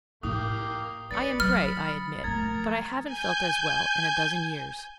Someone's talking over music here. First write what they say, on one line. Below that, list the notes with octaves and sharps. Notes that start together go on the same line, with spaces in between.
I am gray, I admit, but I haven't felt as well in a dozen years.
A2 A#3 E4 G5 D6 D#6
C#4 B4 D5 A6 C#7
F#3 B5 F6
F3 A3 A#4 A#5 G#6 A6
G#5 G6